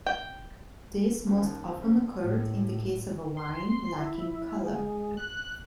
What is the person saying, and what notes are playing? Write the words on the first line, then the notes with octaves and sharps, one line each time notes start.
This most often occurred in the case of a wine lacking color.
G5
F#1
D#2
C4
F#1
A2
C6
E4
G#3
F#6